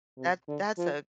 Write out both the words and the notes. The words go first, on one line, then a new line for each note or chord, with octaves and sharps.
that that's a
C3
D3
F3